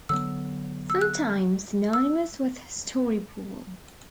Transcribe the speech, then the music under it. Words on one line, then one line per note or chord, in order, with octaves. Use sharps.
Sometimes synonymous with story pole.
D3 F#3 B3 E6
E6
F#6
E6